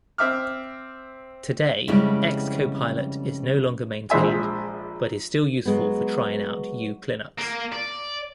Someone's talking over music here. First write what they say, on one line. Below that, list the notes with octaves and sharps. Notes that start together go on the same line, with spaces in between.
Today Xcopilot is no longer maintained but is still useful for trying out uClinux.
C4 E5 D6 F6
F2 C#3 G3 G#3 B3 E4
A#1 G#3 C5 E5 G#5
F#3 G#3 B3
A#3
D5